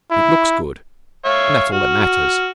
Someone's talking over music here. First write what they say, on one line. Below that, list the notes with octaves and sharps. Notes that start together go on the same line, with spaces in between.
It looks good, and that's all that matters.
E4
C#5 E5 F5
F#4 F6